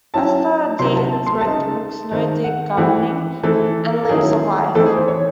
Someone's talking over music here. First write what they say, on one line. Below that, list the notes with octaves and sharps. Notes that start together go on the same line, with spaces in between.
Esther Deans wrote the books "No-Dig Gardening" and "Leaves of Life".
F#3 C#4 E4 A5
C3 F#3 C#4 E4 C6
A5
A5
C6
A5
C#3 G#3 D#4
D#3 G#3 C4
F#5
E3 A3 C4 E4 F#5
E3 A3 C4 E4 A4
A4
D#3 F#3 C#4 E4 G#4
E3 A3 C4 D#4 A4
G#4
C5
C#5